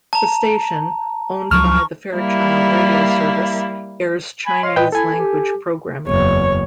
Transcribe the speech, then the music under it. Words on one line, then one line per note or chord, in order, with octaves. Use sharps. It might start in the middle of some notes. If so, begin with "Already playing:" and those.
The station, owned by the Fairchild Radio service, airs Chinese language programming.
A5 A#5
C#2 F3 F#3 C#6 F6
G3 A#3 E4
G#5 B5
C#5 D#5 F5 C6
A#2 B4 D#5 G5
E4 A4 G#5
G4
F#1 E2 C#5